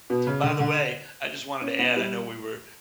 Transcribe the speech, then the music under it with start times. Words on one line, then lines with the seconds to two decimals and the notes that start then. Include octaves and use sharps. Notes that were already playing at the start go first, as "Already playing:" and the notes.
By the way, I just wanted to add, I know we were
0.10 B2
0.27 C#3
0.44 D3
0.60 D3
1.62 C#4
1.79 B3
1.97 G3